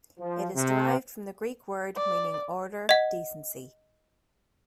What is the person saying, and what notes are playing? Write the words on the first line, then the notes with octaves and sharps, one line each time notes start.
It is derived from the Greek word meaning order, decency.
F3
C3
D5
D#5 F#5